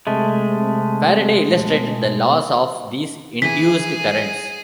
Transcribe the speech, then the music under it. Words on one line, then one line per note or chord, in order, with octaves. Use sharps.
Faraday illustrated the laws of these induced currents.
C3 G#3 A3
B2
E3 G#4 B6